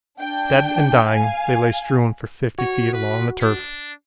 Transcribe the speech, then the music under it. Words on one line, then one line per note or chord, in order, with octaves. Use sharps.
Dead and dying they lay strewn for fifty feet along the turf.
D4 G5
F5 G#5
F#4 C#5
B4
D4